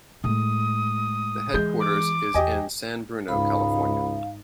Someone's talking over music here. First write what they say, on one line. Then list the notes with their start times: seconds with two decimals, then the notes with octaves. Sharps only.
The headquarters is in San Bruno, California.
0.24 A2 G#3 D#6
1.54 E3 G#3 G6
1.80 D6
2.34 E2 G4 D#5 G#5
3.28 C#2 G#2 D#4 F5 B5